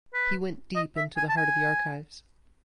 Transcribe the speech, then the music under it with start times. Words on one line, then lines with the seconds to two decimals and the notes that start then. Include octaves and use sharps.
He went deep into the heart of the archives.
0.14 B4
0.75 D#5
0.97 E5
1.17 G#5
1.29 A5
1.37 G#5